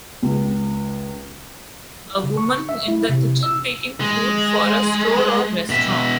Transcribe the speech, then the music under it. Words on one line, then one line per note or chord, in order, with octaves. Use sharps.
A woman is in the kitchen making food for a store or restaurant.
C#2
C#3
C#6
E5
E4
C3
E6
G#3
B2 E5